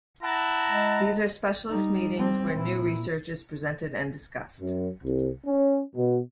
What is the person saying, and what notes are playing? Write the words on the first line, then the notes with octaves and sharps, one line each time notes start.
These are specialist meetings where new research is presented and discussed.
E4 F#5 A5 A#5
G#3
G3 D#4
G3 C4
A#2 E4
F#2
C2
C#4
B2